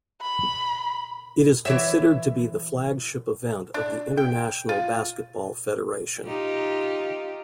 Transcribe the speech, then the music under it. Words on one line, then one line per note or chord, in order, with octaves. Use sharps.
It is considered to be the flagship event of the International Basketball Federation.
B5
E3 C#5 E5
D4
G5
F4
D#4 F4 G4